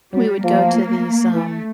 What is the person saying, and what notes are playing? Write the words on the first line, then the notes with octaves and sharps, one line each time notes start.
we would go to these, um
F#3 G3
F3 A#3
E3 A3